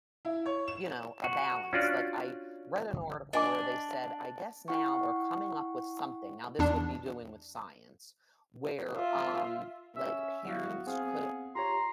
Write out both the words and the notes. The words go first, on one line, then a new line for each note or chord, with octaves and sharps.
you know, a balance. Like, I read an article where they said, I guess now we're coming up with something, now this would be doing with science. Where, um, like, parents could
E4
C#5
E7
F#4
C#4 D4 F4 F#4 D5
D4 D#5 G#5 D6
E4 F#5 G5 C#6
E2 D4
F4 E5
C#4 E5
F#3 B3 E4 F#4 F5
C4 G#4 F5
F4 G4 C#5 A#5 C6